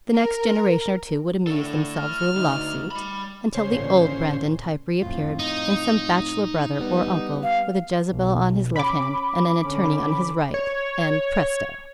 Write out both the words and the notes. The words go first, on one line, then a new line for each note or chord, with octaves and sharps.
The next generation or two would amuse themselves with a lawsuit, until the old Brandon type reappeared in some bachelor brother or uncle, with a Jezebel on his left hand, and an attorney on his right, and, presto!
A#4
D3 E4 A4
F6
D2 D#4
G3 B5
C#3 C#4 C5
A1 A#2 D3
F2 A2 F4
D#4
G3 B3
F5
B1
C#4 B5 D6
D3 C#4
C#5